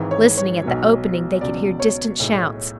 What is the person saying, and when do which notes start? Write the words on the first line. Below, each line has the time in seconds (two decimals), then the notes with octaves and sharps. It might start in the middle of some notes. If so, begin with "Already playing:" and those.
Listening at the opening they could hear distant shouts.
Already playing: G#1 G#2 E3
0.11 C#5
0.38 C#5
0.63 B1 B2 F#3
1.41 C#2 B2 F#3 D5
1.80 C#5
2.19 B1 A2 G#3